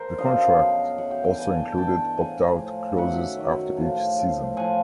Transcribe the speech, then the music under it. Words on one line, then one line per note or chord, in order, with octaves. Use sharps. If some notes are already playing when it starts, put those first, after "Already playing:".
The contract also included opt out clauses after each season.
Already playing: A#4 C5
F#2 D3 F3 D#5 F5
B2 F#3
B2 F#3 E5 F#5
F5 G5
F5 G5
G2 E3 F#5 G#5
G5 A5
G2 E3 G5 A5
A2 F3 F#5 G#5
A2 F3
F#2 D#3 F#3 E5 F#5
F#2 D#3 F#3
A2 F3
A2 F3
A2 F3 F#5 G#5